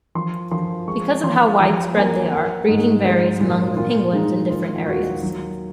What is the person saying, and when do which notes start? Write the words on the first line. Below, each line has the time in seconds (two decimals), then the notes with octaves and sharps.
Because of how widespread they are, breeding varies among the penguins in different areas.
0.15 F3 C6
0.51 F3 C6
0.88 G#3 C#6
1.23 F3 C6
1.60 F3 A#5
1.96 A#3 G#5
2.32 A#3 F#5
2.68 G#2
3.05 G#3 C5
3.41 A#2 F4
3.77 A#2 F4
4.13 G#3 D#4
4.50 D#3 F4
4.86 D#2 F#4
5.22 F#3